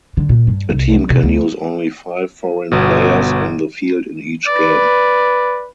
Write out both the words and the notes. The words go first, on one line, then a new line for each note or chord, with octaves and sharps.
A team can use only five foreign players on the field in each game.
D3
A#2
G2
C2
F#3
C3
D2
G1 B2
B4 D5